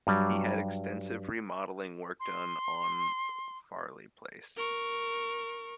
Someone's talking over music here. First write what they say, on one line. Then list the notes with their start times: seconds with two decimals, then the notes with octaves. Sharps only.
He had extensive remodelling work done on Firle Place.
0.07 G2 F#3 G3
2.20 C6
4.57 A#4 C#6